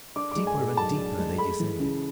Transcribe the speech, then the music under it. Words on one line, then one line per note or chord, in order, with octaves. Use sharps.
Deeper and deeper they descended.
D4 D6
G#3 D6
G#5
A2
B1 A5
D4
G#3
A3 B5
E3
C#3